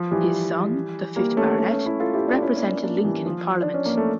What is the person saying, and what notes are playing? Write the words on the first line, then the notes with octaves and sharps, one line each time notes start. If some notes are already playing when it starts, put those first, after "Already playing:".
His son, the fifth Baronet, represented Lincoln in Parliament.
Already playing: F3
E3 G3
G3 A#3
A3 C#4
A3 C#4
A3 C#4
C#4 E4
F4 A4
E4 G4
D4 F4
C#4 E4
A#3 D4
C#4
A#3 D4
A#3 D4
E3 G3
F3
D4
C#4
A#3
A3